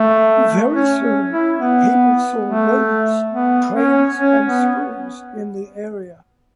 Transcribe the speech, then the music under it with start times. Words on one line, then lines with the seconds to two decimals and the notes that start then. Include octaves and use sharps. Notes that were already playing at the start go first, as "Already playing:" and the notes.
Very soon people saw roads, trains and schools in the area.
Already playing: A3
0.73 C#4
1.01 C#4
1.30 E4
1.59 B3
2.45 A3
3.32 B3
3.74 C#4
4.18 C#4
4.47 B3